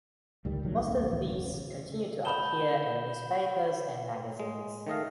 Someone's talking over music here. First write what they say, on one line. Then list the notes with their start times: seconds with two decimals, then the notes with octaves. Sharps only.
Most of these continue to appear in newspapers and magazines.
0.45 C#2 G#2 D#3 G3
0.63 A#1 D#3 F#3
0.87 D2 G#2 A#3 C4
1.10 D1 A#1 E3
1.25 E1 A1
1.44 C#3
2.25 B5 G6 E7 G7
4.40 G#3
4.87 D#3 A3 D#5 F5